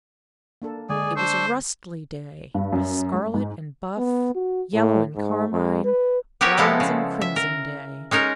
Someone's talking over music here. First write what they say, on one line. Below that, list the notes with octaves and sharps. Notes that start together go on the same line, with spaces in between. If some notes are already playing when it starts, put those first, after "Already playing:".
It was a rustly day, a scarlet and buff, yellow and carmine, bronze and crimson day.
A#3 D4 A4
D3 G#3 G#4 D5 G#5
D4 C5 C#6 E6
G2
F#2
G#3
G#2
B3
F#4
A2
G#2
F2
B4
B3 G4 A#4 B4 C#5
C3 F3 G#3 B3 E4 A4
C#3
E5
A#4
G#3 C#4 D#4 A#4